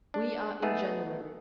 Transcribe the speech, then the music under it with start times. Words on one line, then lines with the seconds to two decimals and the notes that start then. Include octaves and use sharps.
We are in January.
0.14 D4
0.62 A3 B3 D#4 G#4